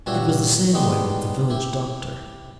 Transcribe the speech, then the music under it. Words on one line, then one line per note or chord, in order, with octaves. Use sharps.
It was the same way with the village doctor.
G2 A#2 F#4 G4 C#5 E5
D#3 G3 G#3 B3 D#4 G4
E4 G4